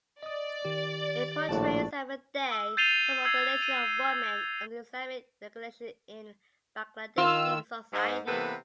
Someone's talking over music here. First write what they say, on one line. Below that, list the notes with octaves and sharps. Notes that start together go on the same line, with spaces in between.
It portrayals everyday subordination of women under the Islamic regulation in Bangladeshi society.
D5 D#5 D#6
D#3 G4
A#1 A2 D4 F#4 A5
E6
G6 A6 C7 D#7 F7 G7
E6 G#6 C7
D#7
D#3 F4 E6
G#2
C3 E3 A#3 B3 A4 B4